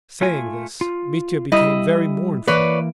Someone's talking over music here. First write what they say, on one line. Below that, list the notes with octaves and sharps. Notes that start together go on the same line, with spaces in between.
Saying this Mitya became very mournful.
A3 F4 G#5
F4
G3 E4 D#5
E3 A#3 B4 C#5 D5